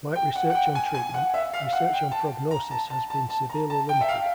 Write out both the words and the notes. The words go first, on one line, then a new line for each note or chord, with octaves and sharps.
Like research on treatment, research on prognosis has been severely limited.
G5
F#5
F#5
G5
G#5
G#5
F#5
E5
F5
F#5
G5
A5
A#5
A5
A5
A5
A5
A#5
A5
G5
E5
F5